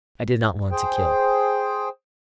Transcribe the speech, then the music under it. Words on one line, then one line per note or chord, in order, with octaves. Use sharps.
I did not want to kill.
G#4 C5 G5